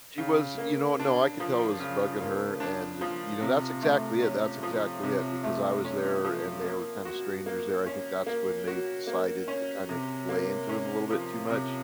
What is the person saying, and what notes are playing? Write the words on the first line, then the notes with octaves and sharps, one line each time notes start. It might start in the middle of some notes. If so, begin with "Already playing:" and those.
She was, you know no, I could tell it was bugging her, and, you know, that's exactly it, that's exactly it, because I was there and they were kinda strangers there; I think that's when they decided to kinda lay into him a little bit too much.
C#3
A#3
D4
F3
C#3
A#3
D4
F3
C3
A3
C#4
F3
C3
A3
C#4
F3
A#3
F#4
A#3
C#4
A#3
F#4
A#3
C#4
C3
A#3
C#4
F3
C3